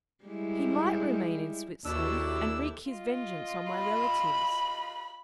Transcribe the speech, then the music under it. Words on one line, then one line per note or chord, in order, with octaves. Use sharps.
He might remain in Switzerland and wreak his vengeance on my relatives.
G3 G#3 E4
D#2 A#3 D4 E4 F#4 G4 A4 E6
F4 D#5
B5